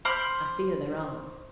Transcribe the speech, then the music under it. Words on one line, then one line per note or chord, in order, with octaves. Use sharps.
I fear there are.
C5 B5 D6 F6